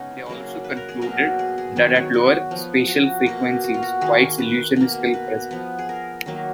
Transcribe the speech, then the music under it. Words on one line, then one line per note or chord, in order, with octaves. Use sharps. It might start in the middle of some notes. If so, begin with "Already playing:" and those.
They also concluded that at lower spatial frequencies White's illusion is still present.
Already playing: C#3 G#3 B3 C#4 D#4
C#3 F#3 A#3
B4
A#4
G#4
B2 F#3 A#3 A#4
G#4
G#4
D#3 F#3 B3
C#5
F#4
F3 B3
F#4
B2 A#3
F#4
F4
F#4
D#3 A#3 G#4
B4
B2 A#3
B4
F3 B3
G#4
A#4
D#3 F#3 A#3